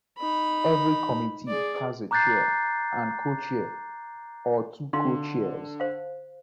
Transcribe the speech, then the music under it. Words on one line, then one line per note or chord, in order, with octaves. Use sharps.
Every committee has a Chair and Co-Chair or two Co-Chairs.
D#4 B5
G#4 D5
A#5 D6 F#6 G6 A6 C7
D3 D#4 F5 C6
C5 F5